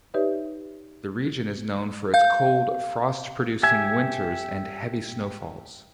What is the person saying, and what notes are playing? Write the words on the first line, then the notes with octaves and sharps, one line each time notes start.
The region is known for its cold, frost-producing winters and heavy snowfall.
D#4 G4 B4 C#5 D5 E5
F5 G6
G4 E5 G#5